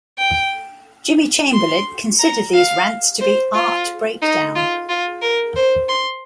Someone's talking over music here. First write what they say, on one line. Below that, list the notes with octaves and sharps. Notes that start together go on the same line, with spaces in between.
Jimmy Chamberlin considered these rants to be "art-breakdown".
G5
C6
A#5
F5
C5
F4
D#4
F4
F4
A#4
C5
C6